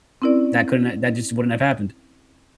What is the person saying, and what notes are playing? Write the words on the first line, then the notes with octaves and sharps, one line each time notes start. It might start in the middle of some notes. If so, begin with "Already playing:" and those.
that couldn't, uh that just wouldn't have happened,
C4 C#4 E4 A#4 D5